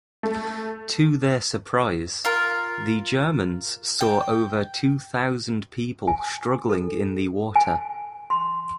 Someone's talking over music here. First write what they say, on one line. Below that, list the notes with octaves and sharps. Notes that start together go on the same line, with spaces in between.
To their surprise, the Germans saw over two thousand people struggling in the water.
A3
F4 A#4
G5
G#5
A4
G#5
C6